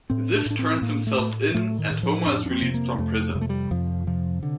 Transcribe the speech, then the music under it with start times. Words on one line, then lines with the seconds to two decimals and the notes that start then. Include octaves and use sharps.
Ziff turns himself in, and Homer is released from prison.
0.10 A2 C4
0.35 D4
0.46 A2 D4
0.59 C4
0.82 A2 A#3
1.07 A3
1.19 A2
1.54 A2 A3
1.79 D#3
1.91 A2
2.03 F3
2.26 F2 D4
2.46 D4
2.51 C4
2.62 C3
2.74 A#3
2.98 F2 A3
3.35 C3 G3
3.41 A3
3.49 G3
3.71 F2 F3
4.07 C3 F3
4.43 D3